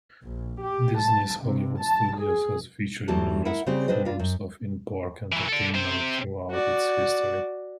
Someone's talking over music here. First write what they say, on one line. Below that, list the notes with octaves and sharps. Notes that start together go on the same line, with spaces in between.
Disney's Hollywood Studios has featured numerous forms of in-park entertainment throughout its history.
A#1
G4
A5
C3
A5
G#4
E2 E3 F#3 A3 G4 A5
E4 A#4 E5 F#5
C#3 G3 C4 G4 G#4
C4 D4 B4 C5 D#5
D4 F4
F#2
E3 F#3
A4 D5
C3 C5
F#4 D5